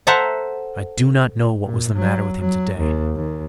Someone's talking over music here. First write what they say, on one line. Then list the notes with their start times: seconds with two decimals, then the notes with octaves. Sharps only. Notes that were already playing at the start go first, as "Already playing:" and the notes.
I do not know what was the matter with him to-day.
0.07 A4 C5 E5 F#5 A5 A#5
1.65 A#2
1.95 F#3
2.39 F#3
2.78 D#2
3.16 D#2